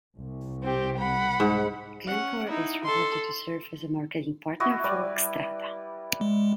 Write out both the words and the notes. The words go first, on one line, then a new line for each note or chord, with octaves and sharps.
Glencore is reported to serve as a marketing partner for Xstrata.
C2
C4 G4
F#5 B5
G#2
C#4 F#5
D#4 E4
A4 C6
E4 F#4 D#5
G3 B4 D5
G#3